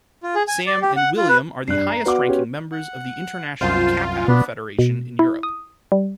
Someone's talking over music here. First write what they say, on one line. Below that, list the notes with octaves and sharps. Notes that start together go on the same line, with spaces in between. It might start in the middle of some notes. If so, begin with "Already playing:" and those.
Sam and William are the highest-ranking members of the International Kapap Federation in Europe.
F4
G#4
G#5
D5
G4
F#5
F4
B4
G2 G3 F#6 C7
A#5
B3 F#4 B4 D5 F#5 D6
C#4 G4
F#5
C2 F#2 F4 C5
B2 B3 D4 B4
B2
E4
D#6
G3